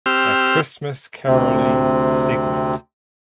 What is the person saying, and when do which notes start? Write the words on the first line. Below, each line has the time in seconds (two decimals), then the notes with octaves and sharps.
A Christmas Caroling segment.
0.06 C4 G4 E6 F6
1.27 D2 C3 C4